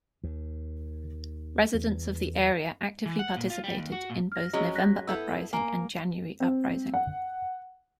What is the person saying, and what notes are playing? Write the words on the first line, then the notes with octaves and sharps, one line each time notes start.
Residents of the area actively participated in both November Uprising and January Uprising.
D#2
E2
E3
F#5
A#2
F4
G3
D#2
F#4
A#2
F6 A#6
F#3 G#3 C#4
F#6 A#6 B6
B3 E4 A4 E6 G6
A#3 G#5 A#5
C4
F#5